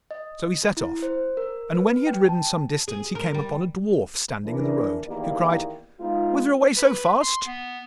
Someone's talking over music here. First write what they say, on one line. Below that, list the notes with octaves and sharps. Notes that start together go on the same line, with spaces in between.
So he set off, and when he had ridden some distance he came upon a Dwarf standing in the road, who cried, 'Whither away so fast?'
D#5
E4
C5
A#4
B4
G5
A5
G#4
A#4
G3
E3 D4 A#4
E2 D#3 A#3 E4 G4 D5
G#3 B3 D#4 F4
B4
C6
B3